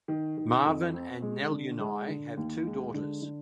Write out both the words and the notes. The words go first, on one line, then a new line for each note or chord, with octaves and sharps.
Marvan and Neluni have two daughters.
D#3
D#3
F2
C4
G#3
D3
G#3
D3
D#2
G#3
D3
D3